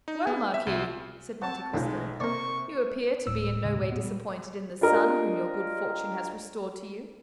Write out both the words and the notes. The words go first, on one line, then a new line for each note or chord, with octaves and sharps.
"Well, marquis," said Monte Cristo, "you appear to be in no way disappointed in the son whom your good fortune has restored to you."
D#4
B3
E5
C2
C4 F#5 A5 C#6
B1 A2 D3 F3 G#3 A3 C#4 D#4
C3 A#3 A#4 C5 D5 C#6
D1 A2 E6
D#2 C#3
B2
A#2 B3
G3
D4 F4 G4 A#4 D#5